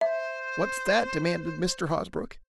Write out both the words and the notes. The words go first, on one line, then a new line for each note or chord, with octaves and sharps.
"What's that?" demanded Mr. Hosbrook.
C5 E5